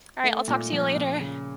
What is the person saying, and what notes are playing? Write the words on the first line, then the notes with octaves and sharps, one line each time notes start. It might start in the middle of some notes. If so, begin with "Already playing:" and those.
Alright, I'll talk to you later.
A3
A#2
F3
A#2
C#3